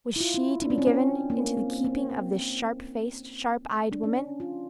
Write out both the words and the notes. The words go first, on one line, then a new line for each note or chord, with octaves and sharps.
Was she to be given into the keeping of this sharp-faced, sharp-eyed woman?
E4
F4
E4
D4
C#4
C4
C#4
A#3
C4
C4
D4
C#4
F4